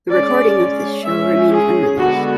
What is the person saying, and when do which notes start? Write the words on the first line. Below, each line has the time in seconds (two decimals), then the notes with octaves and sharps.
The recording of this show remains unreleased.
0.10 G#3 C#4 D5
1.04 G#3 C#4 E5
1.51 G#4
1.99 D3 G#3 B3 F#4